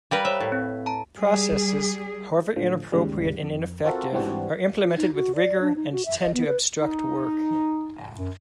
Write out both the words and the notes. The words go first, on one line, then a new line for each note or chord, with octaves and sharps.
Processes, however inappropriate and ineffective, are implemented with rigor and tend to obstruct work.
G3 A#4 B4 F5
C5 C#5 E5
A2
C4
A5 A#5
G3 G#4
A2 D3 F3
D#2 G#2 C#3 G3
F2
C4 F4 F#4 A4 A#4
G#2 E3 G3 C4 D4 F#4
F4
D#4
F#4
D5
D4
D#4
F#4
E5
D#5
B3
B4
D#4
F#2